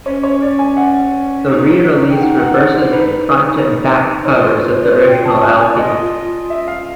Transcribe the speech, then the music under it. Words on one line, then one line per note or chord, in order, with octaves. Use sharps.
The re-release reverses the front and back covers of the original lp.
C#4 C#5
C#5
D5
G#5
F#5
D#4
G5
F#5
F#5
D5
C5
E4
D#4 B4
C#5
F4 C5
C#5
D5
C#5
G5
A5
G#5
G#5
D5
D#5
E5
F5